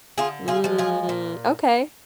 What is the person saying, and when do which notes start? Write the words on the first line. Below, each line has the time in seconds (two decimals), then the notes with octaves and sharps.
Mm. Okay.
0.18 D3 F4 G#4
0.48 F4 G#4
0.64 F3 G#3
0.78 F4 G#4
1.09 A#2